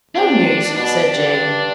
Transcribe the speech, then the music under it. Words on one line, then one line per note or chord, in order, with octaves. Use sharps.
"No news," said Jane.
C3 D4
B2 D4
G2